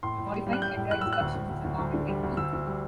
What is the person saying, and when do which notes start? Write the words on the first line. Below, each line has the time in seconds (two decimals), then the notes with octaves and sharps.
Modifying entire instructions was a common technique.
0.03 A2 C6
0.18 A2
0.32 G3
0.47 G3
0.53 F#6
0.62 G3 G6
0.76 A2
0.91 A2 F#6
1.01 A2 E6
1.13 F#6
1.20 D2
1.35 D2
1.50 D2
1.64 D2
1.79 D2
1.94 D3
2.08 G3
2.23 D2
2.37 D2 E6
2.53 D2
2.67 G3